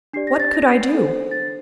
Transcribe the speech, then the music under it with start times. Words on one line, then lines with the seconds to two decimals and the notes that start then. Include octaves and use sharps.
What could I do?
0.13 D4 G4 D5 C7
0.27 A#6
0.40 A6
0.54 A#6
0.72 C7
0.92 D4 A4 C5
1.31 A6